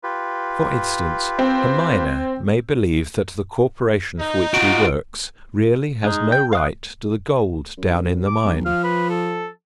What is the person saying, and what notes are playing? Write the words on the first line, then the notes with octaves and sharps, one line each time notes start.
For instance, a miner may believe that the corporation for which he works really has no right to the gold down in the mine.
F4 G4 B4
C4
D#4
F4 F#4 D7
G#3 D#4
G5 G6
F5 D#6 F#6
F#2
D6
B1
F3 F5
B4
A4